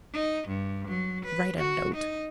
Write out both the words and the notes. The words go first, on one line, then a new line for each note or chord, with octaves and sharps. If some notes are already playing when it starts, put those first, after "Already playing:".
Write a note!
D#4
G2
F#3
B4
F#4
D#4